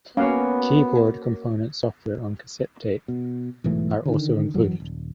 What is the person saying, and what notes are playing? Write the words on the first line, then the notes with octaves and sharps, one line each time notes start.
Keyboard Component software on cassette tape are also included.
A#3 B3 C#4 F#4 C#5 F5
B2
B1 G#2 E3 A3
D3 D#3
G#1 F#2 E3 F#3
D#1